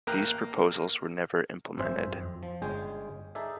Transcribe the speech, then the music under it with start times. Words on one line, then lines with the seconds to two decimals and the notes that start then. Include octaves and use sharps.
These proposals were never implemented.
0.07 A1 A#3 G5 A#5 F#6
1.77 G#1 F#2 C4 C5 E5 G#5
2.13 F2
2.43 F3
2.62 G1 G#3 C#4 G#4 G5 G#5
3.35 D#4 G#4 A4 D5 E5